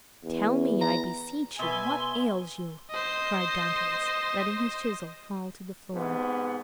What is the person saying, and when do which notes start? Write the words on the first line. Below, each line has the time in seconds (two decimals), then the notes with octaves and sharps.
"Tell me, I beseech you, what ails you?" cried Dantes, letting his chisel fall to the floor.
0.25 E2
0.81 A#5
1.59 B2 B4 E5 G#5 C6
2.90 C5 D#5
5.93 G#2 C3 B3